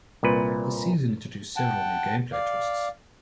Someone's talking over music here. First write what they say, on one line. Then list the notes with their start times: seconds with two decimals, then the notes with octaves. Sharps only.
The season introduced several new gameplay twists.
0.23 C2 A#2 B4
1.56 F#5 G5 A5
2.32 D5 F5